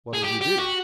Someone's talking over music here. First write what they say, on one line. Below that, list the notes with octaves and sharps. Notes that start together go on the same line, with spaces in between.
"What'll you do?"
G#4
G4
G4
F#4